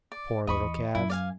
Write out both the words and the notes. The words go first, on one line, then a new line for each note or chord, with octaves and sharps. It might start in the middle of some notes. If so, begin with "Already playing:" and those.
Poor little calves!
D5
D#2 E3 D#5 B5 C#6
F#2 E4
D5 F5 G#5